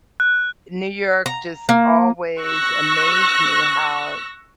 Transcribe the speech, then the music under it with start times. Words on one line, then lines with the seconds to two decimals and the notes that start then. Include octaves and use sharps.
New York just always amazed me how
0.20 F#6
1.26 A#5
1.69 A#3
2.41 C#6 E6 F#6 A#6